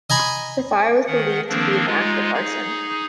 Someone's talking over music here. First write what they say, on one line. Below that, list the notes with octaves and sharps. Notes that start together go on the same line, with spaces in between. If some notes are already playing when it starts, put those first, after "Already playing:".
The fire was believed to be an act of arson.
D#5 G#5 A#5 B5
D#3 F#5
D#3 F3 A#3 C4 D4
G#3 D#4 F4
D#4 G#4